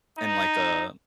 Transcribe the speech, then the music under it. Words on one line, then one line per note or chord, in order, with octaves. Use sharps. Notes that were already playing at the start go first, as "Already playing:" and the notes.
in, like, a
D#4